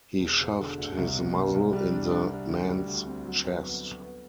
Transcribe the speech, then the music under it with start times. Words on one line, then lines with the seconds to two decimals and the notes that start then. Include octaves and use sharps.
He shoved his muzzle in the man’s chest.
0.20 E1
0.40 E1
0.59 D3
0.78 D2
0.97 C2
1.16 B2
1.35 C2
1.54 C2
1.73 G3
1.92 D4
2.11 D4
2.30 D4
2.49 D2
2.68 G3
2.87 D2
3.06 C4
3.25 F#3
3.45 F#3
3.63 B3
3.83 B3
4.01 B3